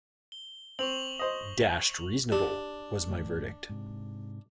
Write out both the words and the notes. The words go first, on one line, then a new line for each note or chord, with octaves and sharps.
Dashed reasonable, was my verdict.
G7
C4 C#6 F7 F#7
C5 D#5
D4 G4
G#1 F2 A3
G#2 C3